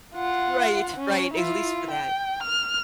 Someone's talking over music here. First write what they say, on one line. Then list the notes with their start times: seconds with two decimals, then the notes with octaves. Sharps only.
Right, right, at least for that
0.15 F4 F#5
0.96 C#4
1.34 E4 F4
1.91 G5
2.43 F6